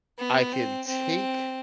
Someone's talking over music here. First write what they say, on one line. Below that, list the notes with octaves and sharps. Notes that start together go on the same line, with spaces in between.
I can take
B3
C4
C4